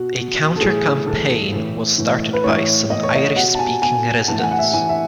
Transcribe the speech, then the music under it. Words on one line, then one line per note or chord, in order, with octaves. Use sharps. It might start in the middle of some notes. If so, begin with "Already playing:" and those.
A counter-campaign was started by some Irish-speaking residents.
Already playing: B2 F#4
B2
A4
A2 E3 G#4
A2 E3 A4
A2 E3
A2 E3
B4
A2 E3 C#5
A2 E3 D#5
C#5
D#5
B2 F#5
A5
G#5
B2 G#5
A2 E3 A5
F#5
G#5
F#5
E5
A2 E3 G#5
E5